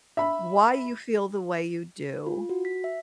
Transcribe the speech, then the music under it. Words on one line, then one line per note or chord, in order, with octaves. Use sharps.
why you feel the way you do,
E5 B5
F4
F#4
B6
E5